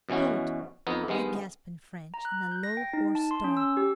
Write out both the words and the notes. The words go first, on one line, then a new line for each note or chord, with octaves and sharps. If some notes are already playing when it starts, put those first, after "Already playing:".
"Hold!" he gasped in French, in a low, hoarse tone.
F#2 B2 E3 C#4 F#4
F2 B3 D#4
G2 D#3 G#3 B3
A#5
F#6
G6
A#6
G5
D#4
A5
C6
C#4
E6
G4